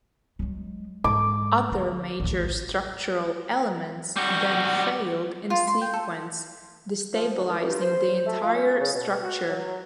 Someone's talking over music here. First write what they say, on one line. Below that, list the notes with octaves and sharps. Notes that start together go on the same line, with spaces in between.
Other major structural elements then failed in sequence, destabilising the entire structure.
F#3 G#3
G#2 D6
D3
A1 D2
G3 F#4
F4
C6
G5
A4
F3
D2
E3
G2
C5
A3
F4
C#4
C#3
B2
F#4
F#3